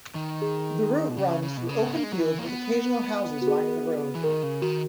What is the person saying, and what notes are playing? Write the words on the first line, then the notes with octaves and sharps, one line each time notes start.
The route runs through open fields with occasional houses lining the road.
D#3
G#4
B2
C#3
C#3
B2
C#3
B3
A#3
G#3
F#3
E3
A#3
B3
F#4
G#4
E3
D#3 A#4
C#3
D#3 F#4